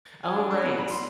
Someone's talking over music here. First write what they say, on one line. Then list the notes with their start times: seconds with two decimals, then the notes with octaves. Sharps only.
Oh, right.
0.23 G#5
0.36 D4
0.51 D4
0.63 B2
0.79 B5
0.91 C6